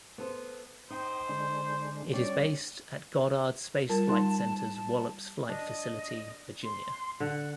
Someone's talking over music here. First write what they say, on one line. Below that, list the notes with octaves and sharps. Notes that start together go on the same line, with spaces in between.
It is based at Goddard Space Flight Center's Wallops Flight Facility, Virginia.
B3 A4 C5
D#4 C5 G5 D#6
D3 G#3 D4
G3 C#4 D4 G4 D5 C#6
G3 F4 A#4 A5
G3 D#4 C6
D4 D#5
C6
D3 F#5